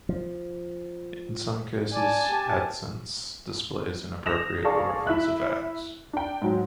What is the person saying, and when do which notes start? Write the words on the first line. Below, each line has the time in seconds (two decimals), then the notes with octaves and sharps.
In some cases, AdSense displays inappropriate or offensive ads.
0.09 F3
1.94 D5 G#5 A5
2.30 G4
4.26 D#6 A#6 E7 F7
4.65 G#4 D5 F5 A5 C#6
5.07 E4 E5 F#6
6.13 D4 G5
6.42 G#2 F#3